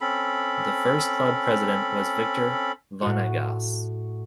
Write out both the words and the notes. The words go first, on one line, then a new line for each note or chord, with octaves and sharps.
The first club President was Victor Vanegas.
C4 C#4 A4 B5
A2 F#4